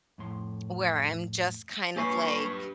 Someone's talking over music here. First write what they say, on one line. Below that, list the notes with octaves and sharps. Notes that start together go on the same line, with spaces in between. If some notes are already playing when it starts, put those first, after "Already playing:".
where I'm just kind of, like
F2 A2 C6
A#3 F4 G4 B4 C#5 G#5 C#6 C7